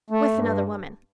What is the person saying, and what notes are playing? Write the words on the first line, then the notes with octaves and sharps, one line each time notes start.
"With another woman."
A3
G2